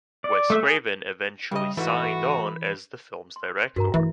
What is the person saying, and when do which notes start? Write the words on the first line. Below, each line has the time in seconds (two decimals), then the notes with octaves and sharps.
Wes Craven eventually signed on as the film's director.
0.24 D5
0.50 A3 E5
0.63 G#4
1.51 C#3 G3 D#5
1.77 G#2 E3 A3 F#4 B5
3.36 C6
3.76 G2 F#4 A#4 A#5
3.94 G2 E3 A3 E5